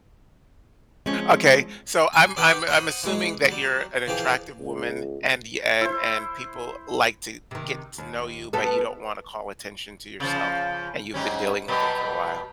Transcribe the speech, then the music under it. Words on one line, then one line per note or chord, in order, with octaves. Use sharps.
Okay, so I'm I'm I'm assuming that you're an attractive woman, and y and and people like to get to know you, but you don't wanna call attention to yourself, and you've been dealing with it for a while?
F3 G#3 C4 C#4
G#5
D4 G4 B4 F#5 G5 A5
C5 F#5 D#6
E3 G#3
F#3 G3
E3 F3 G4 G#4
C#2
E4 C5
C3 D#3
D#2
B2 B3 A4
C#3 F3
G#2 G3 C#4
B2 F#3 G3